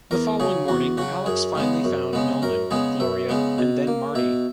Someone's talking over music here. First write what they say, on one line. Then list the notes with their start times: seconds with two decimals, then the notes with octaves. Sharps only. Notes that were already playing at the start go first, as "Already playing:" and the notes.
The following morning, Alex finally found Melman, Gloria, and then Marty.
0.11 E2 A#4
0.40 C#3 F#3 G#4
0.68 E2 F#4
0.97 C#3 F#3 F#4
1.26 F#2 G#4
1.55 C#3 G#3 B3
1.84 F#2
2.13 C#3 G#3 B3
2.42 F#2 A#4
2.71 C#3 G#3 B3 G#4
3.00 F#2 E5
3.29 C#3 G#3 B3
3.58 B2
3.87 A#3
4.15 B2 E5